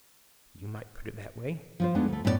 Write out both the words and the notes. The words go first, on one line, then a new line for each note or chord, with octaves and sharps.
"You might put it that way."
F3 F4 C5
F2 G#3 A3 B3 D4 D#4
D2 A3
F#2 A2 B3 C#4 F#4 D5